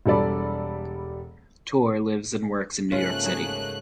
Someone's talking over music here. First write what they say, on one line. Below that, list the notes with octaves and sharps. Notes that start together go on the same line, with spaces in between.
Toor lives and works in New York City.
E1 G3 A4 D5 B5
G#2 C#3 A3 A#3 C#4 F4 F#6
F#3 G#4